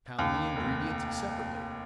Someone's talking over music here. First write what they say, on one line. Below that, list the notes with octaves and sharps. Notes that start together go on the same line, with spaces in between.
Pound the ingredients separately.
D#2 A#3
F1